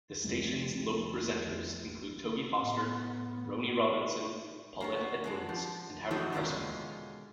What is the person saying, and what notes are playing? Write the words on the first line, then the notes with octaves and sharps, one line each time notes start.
The station's local presenters include Toby Foster, Rony Robinson, Paulette Edwards and Howard Pressman.
F1 C2 F2
A2 B3
A#3 B3 C#5
F#3 G#3 D4
F3
E3 F3 C4 D4 D#4 F#4
B2 D3 D#3 G#3 C#4 F4